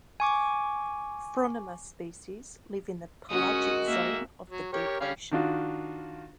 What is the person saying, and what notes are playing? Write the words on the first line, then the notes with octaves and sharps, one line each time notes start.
"Phronima" species live in the pelagic zone of the deep ocean.
G#5 C#6 D6
D#3 G#3 C#4 F#4 D#6
A#3 E5
F#3
G4 A#4 C#5
G3 C#4 F5
D#3 D4 F4 F#4